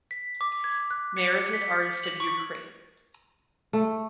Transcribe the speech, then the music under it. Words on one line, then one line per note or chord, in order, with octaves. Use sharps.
Merited artist of Ukraine.
B6
D6
G#6
F#6
C#7
B6
F#7
C#6
A3